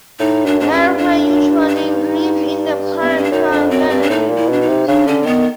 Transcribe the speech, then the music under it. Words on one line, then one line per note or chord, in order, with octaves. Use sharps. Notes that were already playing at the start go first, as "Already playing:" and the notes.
Larvae usually live in the parental galleries.
A2 D#4
F#2 D4
G#2 D4
G2 C#4
F2 D4
F#2
G2
D4
D#4
B3
C4
C#4
D4
F#2 D#4
F2 D4
F#2 C4
G2 C4
D4
A2 D#4
A#2
E4
B2 D4
D#4
C3
C#3 D4
D3 C#4
C4
D#3 B3